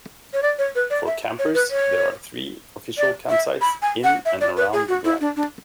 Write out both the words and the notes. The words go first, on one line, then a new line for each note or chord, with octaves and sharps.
For campers, there are three official campsites in and around the Glen.
C#5
D5
C#5
B4
D5
E5
C#5
B4
C#5
D5
E5
B5
G#5
F#5
E5
D5
B4
G#4
F#4
E4
D4
D4